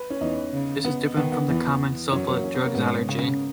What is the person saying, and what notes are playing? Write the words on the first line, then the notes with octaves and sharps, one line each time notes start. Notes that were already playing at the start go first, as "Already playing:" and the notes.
This is different from the common sulfa drugs allergy.
Already playing: B4
C#4
E2 E3 D#4
C#3
B3
D#3 B3
B3
E2 E3
F#2 F#3 C#4
A#3
C#4
B3
A#3
G#2 G#3 B3
C#3 C#4